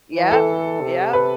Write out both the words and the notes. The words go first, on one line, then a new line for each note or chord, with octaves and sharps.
yup, yup.
E3
A4
C3
B4